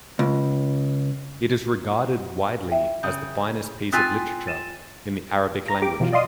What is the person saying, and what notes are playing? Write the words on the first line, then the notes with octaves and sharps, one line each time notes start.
It is regarded widely as the finest piece of literature in the Arabic language.
C#2
E5 G5
C#3 D#6 G6
C4 F4 G#5 D#6 F#6 B6
A6 D#7 E7
A#5
G4 D6
B2 E3 F#3 F4
D5 D#5 F5 C6 D#6